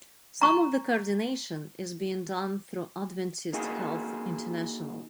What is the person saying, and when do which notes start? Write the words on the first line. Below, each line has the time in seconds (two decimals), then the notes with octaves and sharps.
Some of the coordination is being done through Adventist Health International.
0.42 A#5 C#6
3.53 A#3 D#4 F#4 G#4